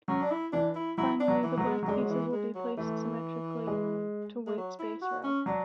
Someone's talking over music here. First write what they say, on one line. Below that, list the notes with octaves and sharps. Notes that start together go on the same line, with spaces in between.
Finally the black pieces will be placed symmetrically to White's base row.
F#3 C#4
D4
E4
E3 D4
E4
F#3 E4
D4
F#3
E3
F#3 A3
G#3
F#3
D3 G#3
F#3
E3
G#3
F#3
E3 A3
G#3
G#3
F#3
E4
F#4
C#4
F#3 D4